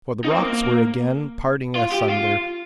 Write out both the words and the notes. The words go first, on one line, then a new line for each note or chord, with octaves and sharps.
For the rocks were again parting asunder.
D#4
C4
A#3
F4
G4
F4